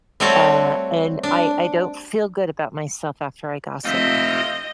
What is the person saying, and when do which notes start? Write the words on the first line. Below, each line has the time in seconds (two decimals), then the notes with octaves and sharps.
uh, and I I don't feel good about myself after I gossip.
0.20 G3 A3 C4 F#4 A4 C#5
1.23 D4
3.85 F1 C4 F4 D#5 E5